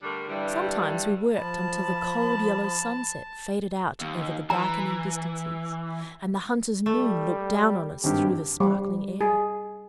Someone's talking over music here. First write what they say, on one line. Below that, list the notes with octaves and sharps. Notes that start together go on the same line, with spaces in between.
Sometimes we worked until the cold yellow sunsets faded out over the darkening distances, and the hunter's moon looked down on us through the sparkling air.
D3 G3 A3 D4 G4 A#4
G2 D3 E3 G3
F3 A5 B5
D#2
E3 A#5
G3 A3
G#1 G2 G4
G3
G#4